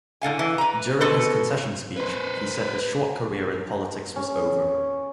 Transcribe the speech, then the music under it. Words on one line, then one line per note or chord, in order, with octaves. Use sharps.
During his concession speech, he said his short career in politics was over.
A2 D3 F5 G#5
E3
B4 A#5
B2 A4 B4 C5
B4 C5
C#4